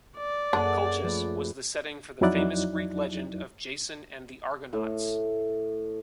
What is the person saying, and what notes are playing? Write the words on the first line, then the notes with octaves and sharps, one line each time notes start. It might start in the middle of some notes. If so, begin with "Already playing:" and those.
Colchis was the setting for the famous Greek legend of Jason and the Argonauts.
D5
F#2 A#3 D4 G#4 A4 F#5
F3 A3 B4
F2 F#3 D#4 E4 D5 F#6
A2